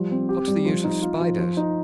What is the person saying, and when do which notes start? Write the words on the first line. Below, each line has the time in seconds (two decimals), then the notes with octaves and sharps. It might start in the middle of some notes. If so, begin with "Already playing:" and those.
What's the use of spiders?
Already playing: F3 G3
0.11 C4
0.29 G4
0.48 G3
0.65 F3
0.84 D#4
1.02 F4
1.20 F3
1.39 F3
1.57 D#4